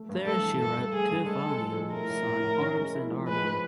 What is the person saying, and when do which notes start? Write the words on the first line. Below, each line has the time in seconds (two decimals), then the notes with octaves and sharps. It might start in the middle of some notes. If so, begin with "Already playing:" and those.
There she wrote two volumes on Arms and Armour.
Already playing: A3
0.09 G2
0.25 A3 A4
0.43 E3
0.59 G2 A4
0.76 G2
0.92 A3 G#4
1.09 G2
1.26 G#3 A4
1.43 G#3
1.60 F3
1.77 G#3
1.93 A2 A#4
2.10 A2
2.26 A2
2.44 A2
2.60 C#4
2.77 G#3
2.94 E4
3.11 F3
3.27 G#3 B4
3.45 F3